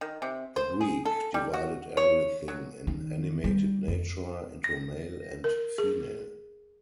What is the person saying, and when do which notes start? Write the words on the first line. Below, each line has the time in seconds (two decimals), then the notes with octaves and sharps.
The Greek divided everything in animated nature into male and female.
0.01 D#3
0.22 C3
0.56 C5
0.81 G#4
1.05 A4
1.34 G3
1.54 F#4
1.97 C#5
2.48 F#3
2.87 D#3
3.44 G3
3.88 F2
4.64 A#6
5.44 A#4
5.78 G#4